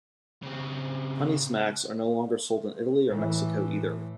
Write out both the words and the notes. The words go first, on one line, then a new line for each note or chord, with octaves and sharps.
Honey Smacks are no longer sold in Italy or Mexico either.
C#3 C4
A2 E3